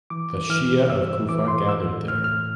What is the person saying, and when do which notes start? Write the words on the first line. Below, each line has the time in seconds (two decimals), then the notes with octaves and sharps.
The Shia of Kufa gathered there.
0.10 E3 D6
0.50 E3 F6
0.89 G2 E6
1.09 E6
1.29 E3 D6
1.48 C6
1.68 A2 E6
2.08 A2 F6
2.24 F6